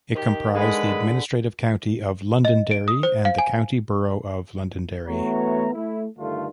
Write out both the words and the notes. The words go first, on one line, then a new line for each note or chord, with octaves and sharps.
It comprised the Administrative county of Londonderry and the County Borough of Londonderry.
D#3 G4
D3 G#3 G#4 B4 B5
D#5
D7
D#6
C5
F5
G#5
E3 A3 B3 F#4 C#5 A#5
A3 E4
G2 D3 D#3 A3 F4